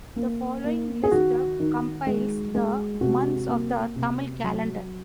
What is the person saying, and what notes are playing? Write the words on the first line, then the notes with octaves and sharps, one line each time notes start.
The following list compiles the months of the Tamil Calendar.
A#3
A#3
G#4
D#3 F#4
D#3
G#3
G#3
C3 F#4
A#3
C3
F#3